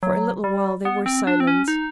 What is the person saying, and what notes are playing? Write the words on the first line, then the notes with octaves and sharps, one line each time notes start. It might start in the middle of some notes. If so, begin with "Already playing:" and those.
For a little while they were silent.
F#3
G3
B3
C4
D4
C4
C#4
D#4